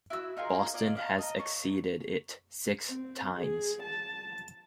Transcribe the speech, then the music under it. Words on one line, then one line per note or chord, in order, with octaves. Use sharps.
Boston has exceeded it six times.
E4 F#4 A5 E6
D#4 F4 G#4 A#4
D5 D#5 F5 G#5
F5 F#5 A5
D#5 A5 A#5
A4 C#5 C#6
C4
G#4
A5